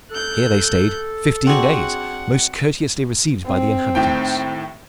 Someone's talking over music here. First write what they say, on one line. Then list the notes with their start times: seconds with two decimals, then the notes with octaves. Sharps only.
Here they stayed fifteen days, most courteously received by the inhabitants.
0.11 A4 F#6 G6
1.47 C4 D4 F#4 G#4 F#5
3.47 C4
3.95 D#2 A2 G5